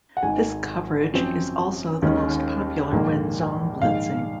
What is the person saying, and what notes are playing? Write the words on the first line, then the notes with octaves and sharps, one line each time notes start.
This coverage is also the most popular when zone blitzing.
F#5
G#1 G#2 D#3 G#5
F#2 F3 C4
D#2 D#3 G#3 C#4
A#1 G#2 D#3 A#3
A#1 G#2 D#3 F5